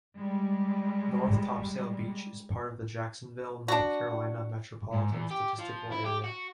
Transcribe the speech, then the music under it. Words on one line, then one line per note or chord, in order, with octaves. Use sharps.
North Topsail Beach is part of the Jacksonville, North Carolina Metropolitan Statistical Area.
G3 G#3
D4 F#4
G#2
E2
G4
F3
E4
G4
F#4